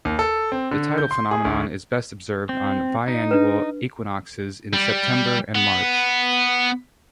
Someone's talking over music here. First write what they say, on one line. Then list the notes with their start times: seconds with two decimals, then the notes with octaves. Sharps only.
The tidal phenomenon is best observed on biannual equinoxes in September and March.
0.05 D#2
0.19 A4
0.52 C4
0.71 D3
0.98 G6
1.11 C6
1.31 G#4
1.45 D2
2.49 C4
3.08 D#4
3.31 D4 B4
4.73 G3
5.55 B3